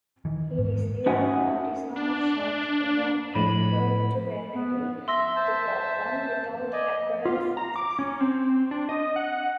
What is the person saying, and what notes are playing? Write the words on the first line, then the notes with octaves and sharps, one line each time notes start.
He received cortisone shots in an effort to remedy the problem, without apparent success.
D#3 E3
G#2
C#4 D#4 F#4 E5 F#5 G#5
D4
A2 F3 B5
B3
E5 C6 E6 A#6
C5 A5
D5 D#5 G#5
F4
A#5
D6
C#4
C4
D4
D#5
F#5